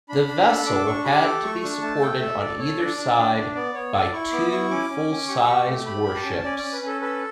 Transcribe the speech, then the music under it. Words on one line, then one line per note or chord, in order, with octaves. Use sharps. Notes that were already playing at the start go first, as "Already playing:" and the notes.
The vessel had to be supported on either side by two full-size warships.
D4 B5
D4
A4
D4 D6
D4 C#6
G4 B5
A4 D6
A3 C#6
D4 C#6
A3 A5
A4 G5
A4 E5
A4 D5
A4 C#5
D4 D5
D4
D4
D4
B3 D5
B3 C#5
A4 D5
E4 C#6
B3 D6
E4 C#6
C#4 D6
C#4
C#4
G4 C#6
G4 C#6
A3
G4 B5
G4
A5
C#4
C#4 D5
C#4 D5
B4
C#4 A4
A4 B4